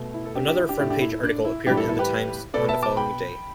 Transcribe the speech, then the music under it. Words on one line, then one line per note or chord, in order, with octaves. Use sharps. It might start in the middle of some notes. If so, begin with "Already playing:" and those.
Another front page article appeared in the "Times" on the following day.
Already playing: B2 A3
E4
A4
D4 G4
D4 G4
E4
D4 G4
A2 A3 D4 G4
D4 G4
E4
E4
D4
E4
A2 E3 G3 B3 D4 G4
E4 A4
E4 A4
G4 B4
B2 B3 A4 D5
E5 A5
A5 D6
G5 B5